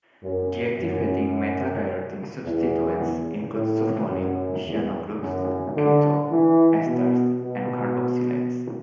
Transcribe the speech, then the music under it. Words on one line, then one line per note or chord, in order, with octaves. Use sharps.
Deactivating meta-directing substituents include sulfonyl, cyano groups, keto, esters, and carboxylates.
F#2
F#2
E2
A2
F#2
E2
F#2
D3
E3
B2
B2